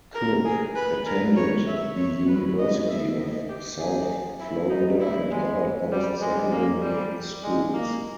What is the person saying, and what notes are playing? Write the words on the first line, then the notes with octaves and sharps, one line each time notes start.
Cook attended the University of South Florida and other post-secondary schools.
A#4
G#4
B4
A#4
C#5
E5
C#5
B4
D#5
E5
D#5
G4
G#4
E4
D#4
E4
G#3
G3
G#3
A#3
G3
G#3
A#3